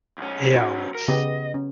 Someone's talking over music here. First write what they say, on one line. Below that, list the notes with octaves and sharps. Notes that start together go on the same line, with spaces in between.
a, um, s
B1 C#4
F#4
A#4
C#3 B3 G4 D#5
C#4